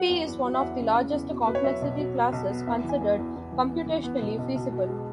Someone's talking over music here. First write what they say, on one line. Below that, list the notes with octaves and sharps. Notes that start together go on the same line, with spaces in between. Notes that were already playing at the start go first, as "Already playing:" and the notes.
P is one of the largest complexity classes considered "computationally feasible".
Already playing: F#3 F#5
E2
E2
F#3
E5
E2 F#5
C#3
C#3
E2
B2
B2 B4
C#5
F#3 E5
B1
F#3
F#3
B1
B3
E2 E5
E3
G#5
E2
E2
E2
E3
B3
E3
B3
B1
B1
B1
B2
G#3